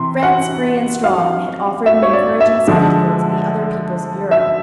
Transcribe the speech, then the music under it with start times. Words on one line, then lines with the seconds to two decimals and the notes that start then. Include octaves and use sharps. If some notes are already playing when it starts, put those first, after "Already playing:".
France free and strong had offered an encouraging spectacle to the other peoples of Europe.
Already playing: C3 E3 C6
0.23 F#5
1.04 F5
1.86 E5
2.02 C#5
2.13 D5
2.40 E5
2.67 D3 F3 G#3
4.31 E5